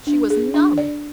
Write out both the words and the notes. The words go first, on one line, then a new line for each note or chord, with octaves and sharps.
She was numb!
D4
G#4
D4
D5